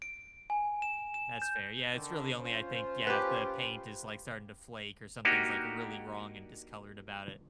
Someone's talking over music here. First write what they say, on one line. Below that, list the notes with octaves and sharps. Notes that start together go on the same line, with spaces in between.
That's fair. Yeah, it's really only, I think, yeah, if the paint is, like, starting to flake or something's, like, really wrong and discolored about it.
D7
G#5
E7
E7
G6
D3 D#3
C#4 F4 C5
G4 B4
A#3 D4 D#4 F#4 G4